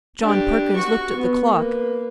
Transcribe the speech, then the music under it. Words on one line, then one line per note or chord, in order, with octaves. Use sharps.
John Perkins looked at the clock.
D4 G4
F#4 C#6
B3
A#3 B4